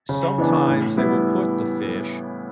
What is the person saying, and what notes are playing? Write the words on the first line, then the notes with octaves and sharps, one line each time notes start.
sometimes they will put the fish
C#3
E3 B3 D4
A2
G3 B3 E4